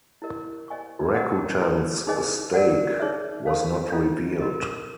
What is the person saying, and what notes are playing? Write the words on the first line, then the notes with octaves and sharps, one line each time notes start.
Rakuten's stake was not revealed.
E4 G4 A#4 D#5
C5 D#5 G#5 C#6
G4 A#4 D#5 F#5
E4 A4 C5
D#4 G#4 C5 D#5 G#5
A#4 D5 F#5
D#4 G#4 C#5 E5
A4 C5 F5
F4 A4 C5 D#5
F#4 A#4 D#5